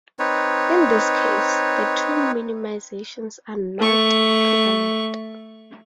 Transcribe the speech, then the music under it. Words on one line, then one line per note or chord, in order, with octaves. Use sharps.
In this case the two minimisations are "not" equivalent.
C4 D#4 B4 C#5
A3 C#6